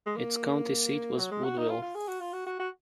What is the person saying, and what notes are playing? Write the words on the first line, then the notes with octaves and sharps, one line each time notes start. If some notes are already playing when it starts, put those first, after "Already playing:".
Its county seat was Woodville.
G#3
A#3
F#3
G#3
F#4
D#4
F4
F4
G#4
F#4
F4
F#4
F#4
F#4